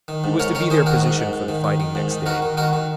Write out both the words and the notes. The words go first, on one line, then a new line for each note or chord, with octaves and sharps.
It was to be their position for the fighting next day.
D#3
G#2
G#2 A#4 C#5
D#3 A#4 C#5
D#3 G#4 C5
D#3 F#4 A#4
G#2
G#2
G#2
D#3
D#3
D#3
G#2
D#3
D#3 F#4 A#4
D#3
D#3 F#4 A#4
D#3